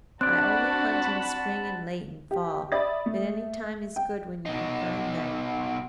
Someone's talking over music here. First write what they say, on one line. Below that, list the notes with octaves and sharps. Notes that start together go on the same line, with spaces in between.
I only hunt in spring and late in fall, but any time is good when you can find them.
C4 D4 F#4 D5 F#5 A5 B5 F#6
G4
D5 E5 B5 D#6 A6
A3
G5
B2 D#4